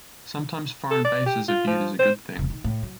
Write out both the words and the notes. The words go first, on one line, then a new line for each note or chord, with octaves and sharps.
Sometimes foreign bases are viewed as a good thing.
A4
D5
G4
F4
F3
C5
E1 C#3
D#3
A2
F#3